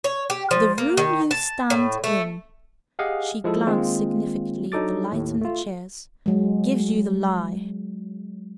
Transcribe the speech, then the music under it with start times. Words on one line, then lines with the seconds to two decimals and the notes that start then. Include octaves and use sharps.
The room you stand in"--she glanced significantly at the lights and the chairs--"gives you the lie.
0.04 C#5
0.30 G4
0.51 F3
0.78 A#3
0.97 D#3
1.31 A5
1.70 A2
2.04 A3
2.99 G4 G#4 D#5 F5 F#5 G#5
3.44 F3 G#3 E4 A4
3.66 D#3 G#3 A#3 C4 F4
4.72 F#3 D4 D#4 A4 D6 A6
5.12 D#2 A2
5.41 A3 F4
6.26 F#3 G#3